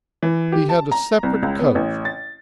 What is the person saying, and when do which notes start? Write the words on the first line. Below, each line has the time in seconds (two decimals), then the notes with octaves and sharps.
He had a separate coach.
0.22 E3
0.52 G4
0.69 A5
0.91 A#5
1.23 C2
1.43 C#2
1.59 B3
1.75 A1
2.05 A6